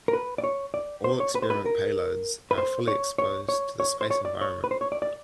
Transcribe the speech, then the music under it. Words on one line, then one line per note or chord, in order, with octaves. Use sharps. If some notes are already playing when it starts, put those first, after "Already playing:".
All experiment payloads are fully exposed to the space environment.
A#4
B4
D5
C#5
D5
C5
C#5
B4
C5
B4
A#4
B4
C5
C#5
C#5
C#5
C#5
C5
C#5
D5
C#5
B4
C5
C#5
D5
D5